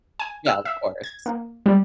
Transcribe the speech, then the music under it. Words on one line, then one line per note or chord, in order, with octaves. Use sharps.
Yeah, of course.
G#5
E6
E5
G#6
A#3
G3